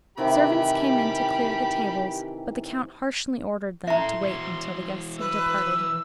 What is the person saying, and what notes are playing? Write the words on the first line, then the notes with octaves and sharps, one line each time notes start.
Servants came in to clear the tables, but the count harshly ordered them to wait until the guests had departed.
C3 D#3 E3 G4 B5
E4 A4 E5 A#5 C6
E3 F#4
B4 E6